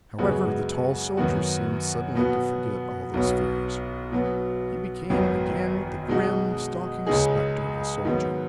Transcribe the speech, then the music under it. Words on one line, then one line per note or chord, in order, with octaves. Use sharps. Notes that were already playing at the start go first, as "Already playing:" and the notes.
However, the tall soldier seemed suddenly to forget all those fears. He became again the grim, stalking specter of a soldier.
F#2 C#3 G#3 B3 F#4
F#2 D#3 B3 F#4
B2 B3 F#4
B1 B2 F#3 B3
B2 F#3 B3
G#1 F#2 D#3 F#3 B3
B2 G#3 D#4 F#4
C#2 C#3 G#3 D#4 G#4
G#2 D#3 F#3 B3